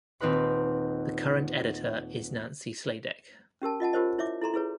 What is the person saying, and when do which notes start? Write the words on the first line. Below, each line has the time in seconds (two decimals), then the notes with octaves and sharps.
The current editor is Nancy Sladek.
0.21 D#1 C4 D#4 B4 B5
3.62 C#4 G4 A#4 A5
3.80 F4 D#5 F#5 A5
3.93 F4 G4 A#4 C5 C#5 D#5
4.18 E4 C#5 E5 D6
4.42 E4 A4 A#5 C6
4.54 E4 G#4 B4 C#5